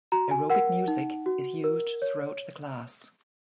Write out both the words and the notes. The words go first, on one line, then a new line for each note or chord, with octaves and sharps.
Aerobic music is used throughout the class.
F#4 A#5
G#5
A#4 F#5
D#4
F#4
A#4
C#5